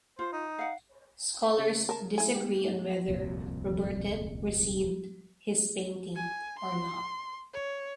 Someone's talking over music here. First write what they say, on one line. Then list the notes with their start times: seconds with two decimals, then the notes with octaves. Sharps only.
Scholars disagree on whether Robertet received his painting or not.
0.19 F4 C5
0.32 D#4
0.59 F5 F#5
1.58 C#3
1.89 A#4 A5
2.18 E4 G#5
2.35 G4
3.08 D1 C2 F2 A#2
6.16 G#5
6.59 C6
7.53 C#5